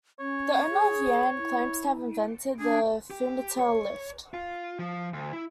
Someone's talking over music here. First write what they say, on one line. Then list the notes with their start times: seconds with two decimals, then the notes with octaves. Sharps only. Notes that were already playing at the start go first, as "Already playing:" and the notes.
The owner of Yan claims to have invented the funitel lift.
0.19 C#4 C#5
0.70 G#4
1.37 E4
2.60 D4 G#4
3.11 G4
3.59 C#5
4.34 F4
4.79 F3
5.13 D2
5.33 E4